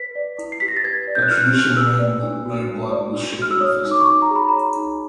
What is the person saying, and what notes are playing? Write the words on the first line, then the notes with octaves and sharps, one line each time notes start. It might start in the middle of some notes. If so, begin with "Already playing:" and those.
A tradition ran that no blood was shed at the festival.
Already playing: B4 B6
D5
E4
C7
G4 B6
A#6
A6
B4 G#6
D5
G6
F#6
E4 F6
F#6
F6
G4
B4 E6
D5
D4
F#4
B4
D5
D4
F#4 F6
E6
C#5 D#6
D#4
D6
C#6
D#4 D6
A#5
G#4
B5
C#5 A#5
D#4